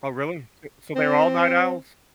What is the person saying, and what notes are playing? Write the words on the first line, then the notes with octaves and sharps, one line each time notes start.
Oh, really? S So they're all night owls?
C4